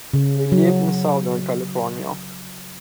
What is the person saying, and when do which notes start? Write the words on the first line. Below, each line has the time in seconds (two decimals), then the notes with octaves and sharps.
They lived in southern California.
0.14 C#3
0.52 F#3